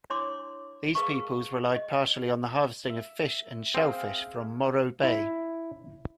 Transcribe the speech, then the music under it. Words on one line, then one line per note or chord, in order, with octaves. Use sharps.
These peoples relied partially on the harvesting of fish and shellfish from Morro Bay.
D4 E4 C#5 C6 D6
G#4 A#4 B4 F5 A5 C#6
D#5
E5
C4 G#4 E5 F5
E4